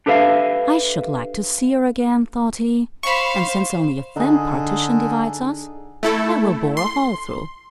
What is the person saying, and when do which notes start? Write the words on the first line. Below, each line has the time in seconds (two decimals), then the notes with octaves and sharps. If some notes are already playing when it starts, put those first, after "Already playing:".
"I should like to see her again," thought he; "and since only a thin partition divides us, I will bore a hole through."
0.06 D4 G4 A4 B4 E5 F5
3.03 C5 F5 B5 C#6
4.16 D3 D#4 G#4
6.03 A3 E4 A4
6.77 C6